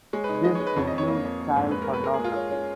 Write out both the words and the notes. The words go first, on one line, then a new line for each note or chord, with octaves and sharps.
This includes child pornography.
G#3 C#5
B4
D#4
C#5
G#3 D#5
C#5
G#3
B4
F2 C#5
D#5
F2
C#5
A#3
F2
A#3
G#2
G#2 B4
A#4
A#3
B4
G#3 A#4
G#4
G#3
F4
C#5
C#4